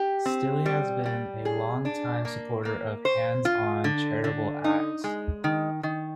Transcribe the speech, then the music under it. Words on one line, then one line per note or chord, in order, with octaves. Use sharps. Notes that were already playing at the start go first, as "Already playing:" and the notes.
Stilley has been a long time supporter of hands on charitable acts.
Already playing: G4
C4
G3
G3
G#4
D4
A#3
A#3
C5
F4
D3
D3
D#4
G#3
D#3
D#3